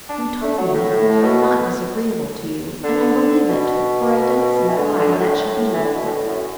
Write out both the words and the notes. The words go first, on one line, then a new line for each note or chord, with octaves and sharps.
You told me that I'm not disagreeable to you, and I believe it; for I don't see why that should be.
D4
A3
F#3
A2
A2
B2
D3
B2
E3
D3
D3
F#2
A2
E3
D3
B2
A2
F#2